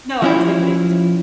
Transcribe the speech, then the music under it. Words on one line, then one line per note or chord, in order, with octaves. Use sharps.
No, I do, but it's just funny.
F3 C#4 E4